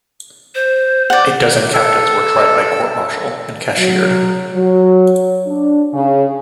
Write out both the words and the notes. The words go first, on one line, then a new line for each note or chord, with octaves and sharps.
A dozen captains were tried by court-martial and cashiered.
C5
D5 F#5
A4
F#3
F#3
D4
C#3